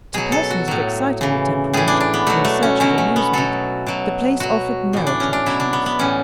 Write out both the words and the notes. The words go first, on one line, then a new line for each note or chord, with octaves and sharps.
To persons of excitable temperament, in search of amusement, the place offered no attractions.
B2 F#3 G#4
A4
F#4
A2 F#3
C#3 E3
A2 E3 G#4
D4
D4
B3
B2 F#3 A3
A3
C#4
B2 F#3 C#4
A3
B3
B2 F#3 A4
B2 F#3
B2 F#3 F#4
A2 E3
D4
C#4
D4
B2 F#3 E4
D4
B3
B3
A2 E3 C#4